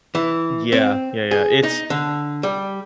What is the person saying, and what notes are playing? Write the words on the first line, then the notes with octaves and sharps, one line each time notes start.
Yeah. Yeah, yeah. It's
E3
C4
G#4
D#4
D3
G3